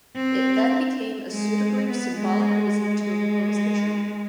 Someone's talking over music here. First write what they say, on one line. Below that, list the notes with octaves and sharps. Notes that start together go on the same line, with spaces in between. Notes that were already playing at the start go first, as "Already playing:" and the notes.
It then became a suitably symbolic reason to oppose the Treaty.
C4
G#3
B3
G#3
G#3